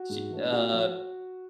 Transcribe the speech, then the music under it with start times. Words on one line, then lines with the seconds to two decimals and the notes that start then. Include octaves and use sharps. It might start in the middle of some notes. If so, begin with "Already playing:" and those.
she, uh,
Already playing: F#4
0.09 G#2
0.30 E3 A3 D4
0.52 C3 F#4
0.74 F3